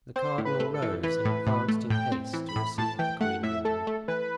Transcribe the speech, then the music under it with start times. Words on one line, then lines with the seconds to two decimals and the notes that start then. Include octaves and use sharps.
The cardinal rose, and advanced in haste to receive the queen of England.
0.16 C4 C5
0.38 A2
0.45 B4
0.60 A3
0.74 A4
0.82 E3
1.03 E3 B4
1.25 A2
1.47 A2
1.68 A3
1.90 A2 G5
2.12 C4
2.33 E3
2.49 B5
2.56 A2
2.78 A2 A5
2.99 E3 G5
3.21 A3 F#5
3.43 A2 E5
3.65 A3 A4
3.87 A3
4.08 E3 B4